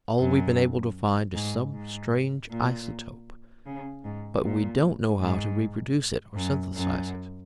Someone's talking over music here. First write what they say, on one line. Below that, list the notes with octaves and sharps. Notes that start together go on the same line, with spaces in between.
All we've been able to find is some strange isotope but we don't know how to reproduce it or synthesize it.
F#2
G#2
G#2
A#2
C#3
G#2
A#2
G#2
F#2
F#2